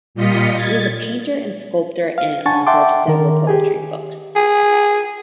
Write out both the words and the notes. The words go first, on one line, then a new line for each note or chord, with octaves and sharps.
He is a painter and sculptor and an author of several poetry books.
A#2 G3 F4 D#5 B6 C#7
G#6 A6
F5
D4 F#5 G#5 A5 C#6 A6
E5 F#5 G5 A5 C6 D6
D#3 A#4
G4 G#4 G#5
G#4